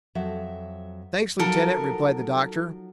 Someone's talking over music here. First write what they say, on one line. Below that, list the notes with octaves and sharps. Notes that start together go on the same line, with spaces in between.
"Thanks, Lieutenant," replied the Doctor.
F2 F#3 E5
F3 F#3 D#4 A4 A#4